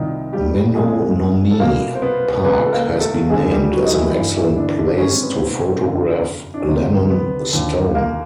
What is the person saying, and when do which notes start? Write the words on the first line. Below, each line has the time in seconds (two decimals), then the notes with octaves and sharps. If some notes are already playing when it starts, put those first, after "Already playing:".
Menonomee Park has been named as an excellent place to photograph Lannon stone.
Already playing: C2 C3 D#3 F3 D#4
0.33 G3 G4
0.75 F2 C#3 F3 G#3 G#4
1.51 A4
1.60 C2 B2 A#3 A#4
1.95 C5
2.02 B3 B4
2.44 C#2 C#3 F3 B3 B4
2.66 A4
2.72 A#3 A#4
3.01 A3 A4
3.29 D#2 D3 F3 G#3 G#4
3.50 G3 G4
3.72 F#3 F#4
3.84 D#4
3.93 E3 E4
4.14 G2 E3
4.35 E3 E4
4.56 D3 D4
4.77 D3 D4
4.98 G#2 D#3 C#4
5.10 C4
5.22 B3
5.34 C3 C4
5.83 F#2 D3 F3
6.54 D4
6.60 C#4
6.68 D2 C3 D#3 C4
7.10 B3
7.53 D#2 D3 F3
7.95 A#3 A#4